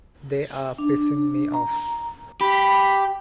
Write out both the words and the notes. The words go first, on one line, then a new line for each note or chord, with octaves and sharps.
They are pissing me off.
D4
A#5
G4 B5